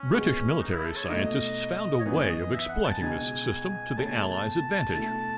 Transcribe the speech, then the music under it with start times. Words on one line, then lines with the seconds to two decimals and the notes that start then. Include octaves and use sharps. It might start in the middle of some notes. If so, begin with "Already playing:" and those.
British military scientists found a way of exploiting this system to the allies' advantage.
Already playing: C#4
0.13 C#3 G#3 B3
0.60 D#4
0.73 E4
0.85 A4
0.96 C#5
1.09 B2 A3 D#4 D#5
2.00 C#5
2.05 F#2 E3 B3 D#4 D#5
2.21 C#5
2.29 D#5
2.53 E5
2.69 F#5
2.86 A5
3.01 C#2 B2 G#3 D#4 G#5
3.97 C#2 B2 A3 C#4 A5
4.07 G#5
4.16 A5
4.93 B2 A3 E4 A5